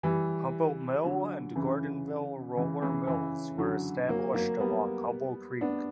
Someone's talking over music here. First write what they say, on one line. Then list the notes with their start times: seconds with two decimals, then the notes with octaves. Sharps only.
Hubble Mill and Gordonville Roller Mills were established along Hubble Creek.
0.03 E3 G3
1.04 D3 F#3
1.56 C#3 E3
2.57 C#3 E3
2.82 C#3 E3
3.07 C#3 E3
3.58 D3 F#3
4.09 F#3 A#3
4.34 F#3 A#3
4.60 G3 B3
5.61 B3 D4